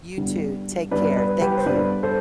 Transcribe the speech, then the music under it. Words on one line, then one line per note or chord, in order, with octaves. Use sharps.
You too. Take care. Thank you.
G2 D3 G3 B3
G2 D3 G3 B3 B4 D5
B4 D5
G4 B4
C5
G2 D3 G3 B3 B4 D5
A4 C5